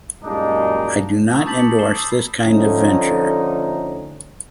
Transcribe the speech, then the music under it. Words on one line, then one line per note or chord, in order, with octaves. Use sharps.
I do not endorse this kind of venture.
F#2 A#2 G3 G#3 D4 D#4
A#5 B5 C#6 D#6 E6
A5 D6 G6 A6 B6 F#7
C#7
C7 E7 G7
D#6 E6 G6 C7
D3 F3 A3 C#4 D#4